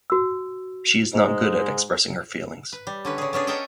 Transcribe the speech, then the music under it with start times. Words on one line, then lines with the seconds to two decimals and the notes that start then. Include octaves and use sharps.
She is not good at expressing her feelings.
0.10 F#4 E6
1.13 G#2 G#3
2.73 B4
2.87 G3
3.05 D3 C#4 B4
3.18 C#3 G#4
3.33 B3 C#4 D4 G#4
3.47 A4 A#4 C#5 D#5 E5 G5